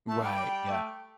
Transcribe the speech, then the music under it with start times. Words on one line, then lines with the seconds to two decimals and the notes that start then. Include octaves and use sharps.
Right, yeah.
0.08 A3 A5
0.23 G3 G5
0.38 G3
0.69 A3